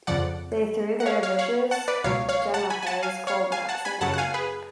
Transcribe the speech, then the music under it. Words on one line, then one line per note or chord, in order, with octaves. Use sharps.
They threw their vicious Jemmapes colbacks in the air.
F2 C#3 F3 D5 F#5
F#5
C#5 F5
C#5 F5
C#5 F5
F#5 A5
B4 D5
C#2 B2 F#3 C#5 F5
C#5 F5
F#5 A5
G#5 B5
G#5
F#5 A5
F5 G#5
C#5 F5
F5 G#5
F#5 A5
G#5 B5
F#2 C#3 F#3 F#5 A5
F#5
F5 G#5
G#4 B4